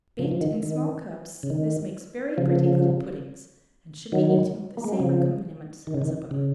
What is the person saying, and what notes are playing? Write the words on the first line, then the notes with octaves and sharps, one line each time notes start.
Baked in small cups, this makes very pretty little puddings, and should be eaten with the same accompaniments as above.
C#3 F3
F3
D#3
D#3
C#3
D#3
C#3 F3
D#3 F#3
A#3
G#3
F#3
C#3 F3
D#3
C#3
D#3
C#3